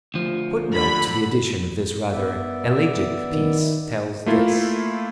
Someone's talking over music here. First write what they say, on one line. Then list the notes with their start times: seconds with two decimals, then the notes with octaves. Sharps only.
A footnote to the edition of this rather elegiac piece tells this.
0.14 D2 F3
0.73 D3 B5
2.11 B3 D5 E5
3.31 D#3
4.26 A3 A#3 E4 F4